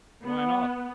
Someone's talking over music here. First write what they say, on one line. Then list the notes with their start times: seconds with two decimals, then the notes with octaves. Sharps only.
"Why not?"
0.24 B3